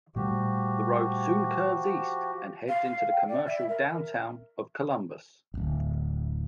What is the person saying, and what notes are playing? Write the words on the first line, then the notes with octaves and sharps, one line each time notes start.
The road soon curves east and heads into the commercial downtown of Columbus.
A#2 F3 G3 A3 F#4 G4
F5
G5
D5
E5
A#4
D1 G#1